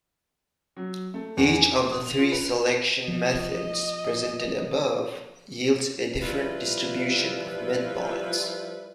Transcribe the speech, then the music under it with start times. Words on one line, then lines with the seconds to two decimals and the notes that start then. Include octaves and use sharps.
Each of the three selection methods presented above yields a different distribution of midpoints.
0.77 F#3
1.14 A3
1.37 E2
1.55 G#5
1.76 C6
1.91 D#6
2.06 F7
2.19 F4
2.32 B4
3.08 F3 B3 D#5
6.23 F3 G3 E4 F4 B4